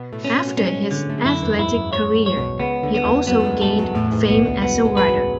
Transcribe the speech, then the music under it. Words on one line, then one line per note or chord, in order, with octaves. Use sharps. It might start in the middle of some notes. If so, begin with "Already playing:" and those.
After his athletic career, he also gained fame as a writer.
Already playing: B2 B3
A2 A3
C#4
F#3
G#2 G#3 C#4
D3
A3
G#3
F#2 F#3 E4
E2 E3
G#2 E4
F#2
G#2 C#5
G#2
C#5
B1 B2
C#2 C#3 B3
D2 D3
B3
E2 E3
F#2 F#3 B3
A3
G#2 G#3
A2 A3 A4
F#2 F#3
E2 A2 E3
F#2
G#2
B1 B2 B3
D2 D3
E2 E3 B3
G#2 G#3
G#3 B4
F#2 F#3